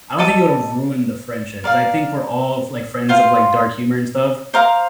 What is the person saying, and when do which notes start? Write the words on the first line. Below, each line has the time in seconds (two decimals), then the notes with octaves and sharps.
I don't think it would have ruined the friendship because I think we're all, f like, friends of, like, dark humor and stuff.
0.18 A4 D#5 A5 D6
1.64 A#4 D5 F5
3.09 F4 C5 F5 C6
4.54 C5 F5 A#5 D6